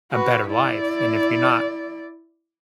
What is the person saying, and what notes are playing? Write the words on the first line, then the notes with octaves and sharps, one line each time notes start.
a better life, and if you're not
F#4 B4
E4 D5